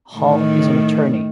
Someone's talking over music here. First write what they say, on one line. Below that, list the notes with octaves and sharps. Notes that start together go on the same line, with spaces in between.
Hall is an attorney.
A2 D#3